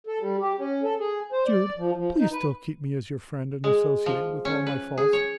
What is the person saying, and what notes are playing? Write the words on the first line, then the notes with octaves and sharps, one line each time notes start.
Jude, please still keep me as your friend and associate, with all my faults.
A4
G3
G4
C#4
A4
G#4
C5
D5
F3
F3
D#4
B4
G#3
F3
C#4
B4
G#4
C#5